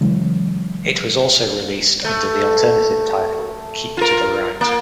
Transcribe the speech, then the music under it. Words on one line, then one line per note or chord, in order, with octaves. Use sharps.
It was also released under the alternative title Keep to the Right.
C#3 E3 F#3 G#3
A3
F4 A#4
A#3